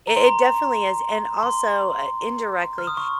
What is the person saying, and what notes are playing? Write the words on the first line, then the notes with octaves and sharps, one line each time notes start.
I it definitely is, and, also, uh, indirectly,
A#5
C6
A#5
C6
F6
D#6
C#6